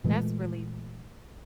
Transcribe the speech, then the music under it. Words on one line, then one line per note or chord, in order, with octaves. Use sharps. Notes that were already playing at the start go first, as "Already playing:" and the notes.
That's really
A#2 E3 G#3 A3